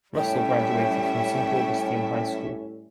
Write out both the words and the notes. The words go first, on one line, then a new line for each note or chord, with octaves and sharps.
Russell graduated from Saint Augustine High School.
A2 G3 C#4 E5 G5